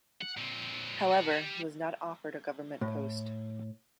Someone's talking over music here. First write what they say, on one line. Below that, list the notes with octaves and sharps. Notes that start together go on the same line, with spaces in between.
However, he was not offered a government post.
F#5
A#2 C4
B2 F#4
G3
A2